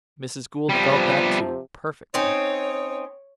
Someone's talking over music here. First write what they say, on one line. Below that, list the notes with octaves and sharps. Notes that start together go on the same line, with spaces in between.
Mrs. Gould felt that, too, perfectly.
C3 F3 G3 B3
C4 C#4 D#4 C#5